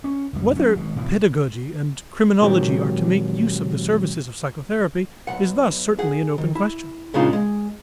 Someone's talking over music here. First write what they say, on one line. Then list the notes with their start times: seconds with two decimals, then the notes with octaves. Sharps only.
Whether pedagogy and criminology are to make use of the services of psychotherapy is thus certainly an open question.
0.04 C#4
0.33 C#2 F#2 G3
0.56 F#3 C#4
0.76 G#1 B2
0.96 A2 C3 E3 F3
2.41 A#2 D#3 F#3 G#3 C4 G4
5.27 B1 F#5
5.99 G#4 F#5
6.38 D#3
6.55 E4
7.14 A#2 C#3 G#3 D4 D#4 F4
7.33 G#3